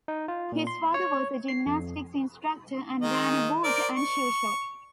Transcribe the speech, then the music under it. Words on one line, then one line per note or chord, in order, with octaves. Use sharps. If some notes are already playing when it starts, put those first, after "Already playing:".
His father was a gymnastics instructor and ran a boot and shoe shop.
D#4
F4
A#2
C6
C#5
C7
F2
D#3 G#3 D#5
A#4 C5 D5
C#6